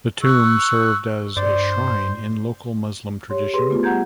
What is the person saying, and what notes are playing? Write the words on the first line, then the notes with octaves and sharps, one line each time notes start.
The tomb served as a shrine in local Muslim tradition.
C#6 E6 F#6
G2 C5 D5
G4 C#5 C6
G4 G#4 B4 C6
A3 B3 F4
G3 F#5 A#5 G6 G#6